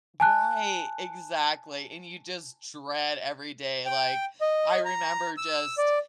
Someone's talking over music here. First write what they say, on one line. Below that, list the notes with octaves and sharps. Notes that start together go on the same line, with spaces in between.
Right, exactly, and you just dread every day, like, I remember just,
G#5 A5 F#6
G5
D#5
A#5
E6
D5